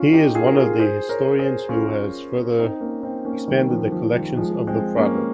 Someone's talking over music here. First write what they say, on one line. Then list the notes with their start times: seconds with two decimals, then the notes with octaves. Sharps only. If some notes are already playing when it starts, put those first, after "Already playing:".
He is one of the historians who has further expanded the collections of the Prado.
Already playing: C#4 F4
0.13 D#4 G4
0.35 F4 G#4
0.46 A#4
0.57 F4 G#4
0.79 G#4 C5
1.09 A#4 C#5
1.39 G#4 C5
1.69 C#4 F4
2.59 C4 D#4
2.80 A#3 C#4
3.03 C4 D#4
3.25 A#3 C#4
3.48 D#3 G3
3.70 F3
3.92 F3
4.14 D#3 G3
4.37 F3 G#3
4.67 G#3 C4
4.97 A#3 C#4